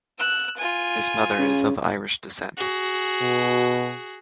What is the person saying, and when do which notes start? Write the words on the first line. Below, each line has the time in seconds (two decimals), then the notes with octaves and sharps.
His mother is of Irish descent.
0.18 E6 F#6
0.57 F4 G#5
1.39 C#3
2.57 F#4 G#4
3.21 B2